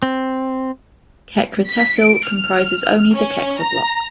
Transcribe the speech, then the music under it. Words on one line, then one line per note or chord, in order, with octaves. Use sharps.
Khekra tehsil comprises only the Khekra block.
C4
B6
D7
F6
C#4
A#5